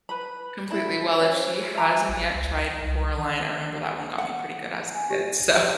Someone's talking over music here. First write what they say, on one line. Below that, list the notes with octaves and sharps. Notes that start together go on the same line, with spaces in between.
Completely, well, if she hasn't yet tried Coraline, I remember that one got me pretty good as a kid, so
B4 B5
E4 B5
C#4 C5
E5 A#5
A1
C#2
C2
D#3
F#5
G#5
G4